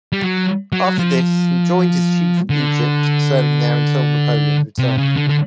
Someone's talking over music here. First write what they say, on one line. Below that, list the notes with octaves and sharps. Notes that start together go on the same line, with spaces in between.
After this he joined his chief in Egypt, serving there until Napoleon's return.
G3
F#3
F#3
F3
D3
C3
C#3
D3
D3